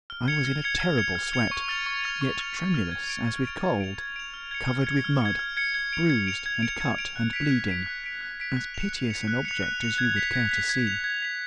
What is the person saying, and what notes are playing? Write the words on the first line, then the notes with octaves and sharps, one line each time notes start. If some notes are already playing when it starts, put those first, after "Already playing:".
I was in a terrible sweat,--yet tremulous as with cold; covered with mud; bruised, and cut, and bleeding,--as piteous an object as you would care to see.
F6
G#6 C#7 F7
F6
G#6 C#7 F7
F6
G#6 C#7 F7
F6
G#6 C#7 F7
C#6
F6 A6 F7
C#6
F6 A6 F7
C#6
F6 A6 F7
C#6
F6 A6 F7
G#6
D7 F7
G#6
D7 F7
G#6
D7 F7
G#6
D7 F7
F6
G#6 C#7
F6
G#6 C#7
F6
G#6 C#7
F6
G#6 C#7
G#6
D7 F7
G#6
D7 F7
G#6
D7 F7
G#6
D7 F7
F#6
B6 D7
F#6
B6 D7
F#6
B6 D7
F#6
B6 D7
F#6
C#7 F7
F#6
C#7 F7
F#6
C#7 F7
F#6
C#7 F7
G#6
B6 F7
G#6
B6 F7
G#6
B6 F7
G#6
B6 F7